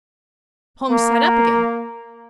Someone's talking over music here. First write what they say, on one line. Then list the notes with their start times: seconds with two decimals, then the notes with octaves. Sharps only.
Holmes sat up again.
0.90 A#3